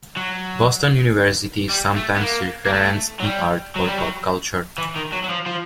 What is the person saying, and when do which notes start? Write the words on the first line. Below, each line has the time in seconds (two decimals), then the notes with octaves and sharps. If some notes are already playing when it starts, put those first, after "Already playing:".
Boston University is sometimes referenced in art or pop culture.
0.16 F#3
1.70 G3
1.96 A3
2.16 B3
2.21 A#3
2.66 A#3
2.73 A3
3.20 F#3
3.24 G3
3.76 F#3
3.86 G3
3.98 F#3
4.78 E3
4.96 D#3
5.12 F#3
5.24 F#3
5.29 F3
5.46 F3